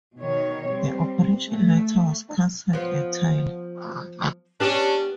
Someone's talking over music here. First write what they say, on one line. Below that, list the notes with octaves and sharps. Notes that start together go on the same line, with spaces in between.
The operation later was canceled entirely.
B2 D#3 C#5
G3 C4
A3
F3 B3
B3 C#4 D4 G4 D5